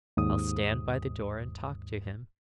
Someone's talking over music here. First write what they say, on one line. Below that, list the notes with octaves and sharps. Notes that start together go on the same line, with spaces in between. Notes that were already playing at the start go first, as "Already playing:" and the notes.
'I'll stand by the door and talk to him.'
D#2 G#2 D#6